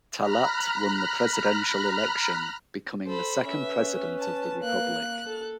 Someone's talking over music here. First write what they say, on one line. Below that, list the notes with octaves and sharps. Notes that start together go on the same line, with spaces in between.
Talat won the presidential election, becoming the second President of the republic.
A#5 B5 F6 F#6
A4 C5 B5
C#4 B4 E5
A5
A#3 F#6
A4